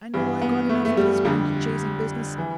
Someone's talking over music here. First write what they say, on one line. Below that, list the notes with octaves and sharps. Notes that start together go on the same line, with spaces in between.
I know I've got enough of this bandit-chasing business.
G2 E3
B3
A3
A3
G3
F2 D3 G3
E3